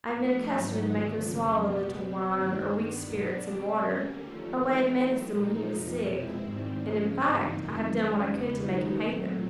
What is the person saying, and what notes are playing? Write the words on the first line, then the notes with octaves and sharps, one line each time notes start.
I have been accustomed to make him swallow a little wine or weak spirits-and-water, by way of medicine, when he was sick, and, in fact, I have done what I could to make him hate them.'
A2 F3 A3 D4
G#2 D#3 F#3 B3 D#4
D#2 D3 F3 A3
F2 C#3 F#3 A#3
B2 G3 B3
B2 G3 C4
G2 D#3 G3 A#3 D4
G2 D#3 G3 B3
B2 F#3 B3 D4
B2 G3 C4
D3 G3 A#3 C#4
D#2 D3 F3 A3
A2 E3 G#3 C4 D#4
A2 F#3 A3
A#2 F3 A#3 D#4
F2 C3 F3 A#3
B2 G#3 C4 E4
G#2 D#3 G3 C4
C#3 F3 A#3 C#4
G2 E3 G3 C4 D#4
F2 C3 D#3 F#3 A#3
D#3 G#3 C#4
E2 C#3 E3 G3 B3
D#3 G#3 B3 D#4
A#2 F#3 A3 C4